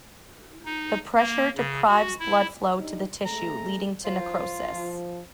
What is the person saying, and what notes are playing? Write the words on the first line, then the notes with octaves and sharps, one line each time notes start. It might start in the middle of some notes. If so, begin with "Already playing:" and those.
The pressure deprives blood flow to the tissue, leading to necrosis.
D#4
A#3
C#3
F#4
E4
G3 D4 D#4
C3 G#3 A3 A#5
F3 F4 C5
F3